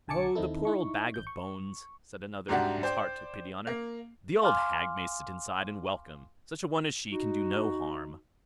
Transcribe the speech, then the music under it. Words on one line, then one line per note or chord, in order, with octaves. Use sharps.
'Oh! the poor old bag-of-bones', said another, whose heart took pity on her, 'the old hag may sit inside and welcome; such a one as she can do no harm.'
B1 D3 G#5 A5 D6 C#7
D#2 D#3 C4 D#4 E4 A4
D#4 E4 C#6
G#1 G6
C#6
C2 G#2 D4 F#4 G4 F#5
C5 D5 G5
A#3
F5 G#5 C6 D6 F6
D#4 F#4